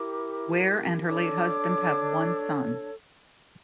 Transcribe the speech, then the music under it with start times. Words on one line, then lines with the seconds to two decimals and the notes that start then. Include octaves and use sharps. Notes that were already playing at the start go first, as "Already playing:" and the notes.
Wair and her late husband have one son.
Already playing: E4 G4 A#4 D6
1.05 D4 A4 C#5 D6